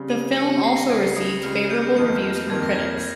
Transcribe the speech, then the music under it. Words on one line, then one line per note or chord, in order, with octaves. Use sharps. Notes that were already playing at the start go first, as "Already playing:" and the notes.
The film also received favourable reviews from critics.
Already playing: C#3 G3 C4
D#7
C#3 G3 C4 C#7
C#7
C7
A#6
C#2 C#3 G3 G#6
D#6
C#2 C#3 G3 F6
G6
F2 D#3 A#3 G6
F2 D#3 A#3 G#6
A#6
G#6